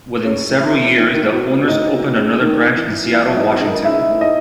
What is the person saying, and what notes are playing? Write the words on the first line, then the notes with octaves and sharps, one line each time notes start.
Within several years, the owners opened another branch in Seattle, Washington.
C#3 C#4 C#5
E3
E4 E5
E3
D#3
E3
D#3
A2
B2
B2
A2 D#4 D#5
B2
B2
C#3
C#3
D#3
E3
E3 E4 E5
F#3 E5
D#4 D#5
B2
C#3 D#4 D#5
D#3
C#3 E4 E5
A2
D#4 D#5